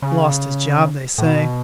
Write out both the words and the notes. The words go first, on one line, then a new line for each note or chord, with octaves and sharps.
Lost his job, they say.
C#3
A2
B2